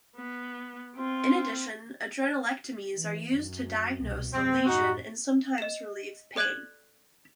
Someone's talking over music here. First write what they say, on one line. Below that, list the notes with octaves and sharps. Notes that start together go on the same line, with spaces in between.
In addition, adrenalectomies are used to diagnose the lesion and sometimes relieve pain.
B3
C4 F4
E3
F#2
C2 B2
G1 F2 C4
F#2 A2 D#4 F#4
D#5 E7
A4 D5 F#6 G#6 F#7